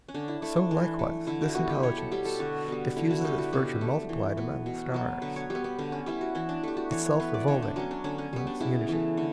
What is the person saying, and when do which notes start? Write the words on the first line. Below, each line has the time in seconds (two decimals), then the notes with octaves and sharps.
So likewise this Intelligence diffuses Its virtue multiplied among the stars. Itself revolving on its unity.
0.08 C#4
0.14 D3 D4
0.28 E4
0.42 A3 D4
0.56 D4
0.71 E3
0.99 A3
1.27 D3 E4
1.41 F#4
1.55 G3 B3 F#4
1.69 G4
1.83 B2 C#5
1.97 A4
2.12 G3 B3 G4
2.25 A4
2.39 D3 F#4
2.68 G3 B3
2.97 D3 E4
3.11 F#4
3.24 G3 B3 G4
3.38 F#4
3.53 B2 G4
3.81 A3
4.09 E3
4.37 B3
4.66 B2
4.94 F#3 B3
5.22 D3 B4
5.36 C#5
5.50 G3 B3 G4
5.64 B3
5.79 D3 B3
5.92 C#4
6.06 G3 B3 E4
6.21 F#4
6.35 E3 E4
6.49 D4
6.63 A3 G4
6.77 F#4
6.91 E3 C#5
7.06 C#5
7.20 B3 B4
7.34 D5
7.48 D3 C#5
7.62 D4
7.76 F#3 B3 C#4
7.91 D4
8.04 D3 C#4
8.18 C#4
8.33 G3 B3
8.47 D4
8.61 C#3 E4
8.89 E3 A3
9.17 D3